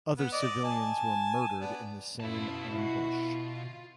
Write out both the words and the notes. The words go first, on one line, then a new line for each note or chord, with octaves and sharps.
Other civilians were murdered in the same ambush.
B3
D5 D#5
G#5 A5
B3 D4
F#2 B2 E4 F4 A5
E4 F#4
F4